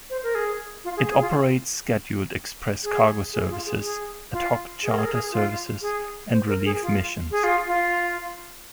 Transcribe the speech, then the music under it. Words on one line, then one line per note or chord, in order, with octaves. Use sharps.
It operates scheduled express cargo services, ad hoc charter services and relief missions.
C5
A#4
G#4
F4
G#4
G#4
F4
G#4
G#4
F4
G#4
G#4
F4
G#4
A#4
G#4
A#4
G#4
F4
G#4
C5
A#4
G#4
F4
G#4
F4
F4